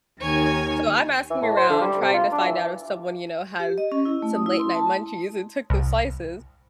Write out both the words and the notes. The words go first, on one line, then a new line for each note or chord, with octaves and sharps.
So I'm asking around trying to find out if someone, you know, had some late night munchies and took those slices.
D#2 D#3 C#5 G#5
E3
A2
C5
D3
G3
C3
F4
D4
E3
G4
D#5
C#4
E4
A3
D#6
E4
C6
A5
C2